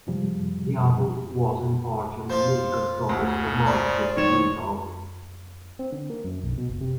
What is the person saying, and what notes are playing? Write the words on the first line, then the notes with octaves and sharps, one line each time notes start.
The album was a departure in musical styles from Martika's debut album.
F#2 A2 C3 F3 G3 G#3
F3 F4 C5
D2 C#3
F3 D5
D#3 C#5 E7
C4
D3
A#3
F#2
B1
B2
F#1
C3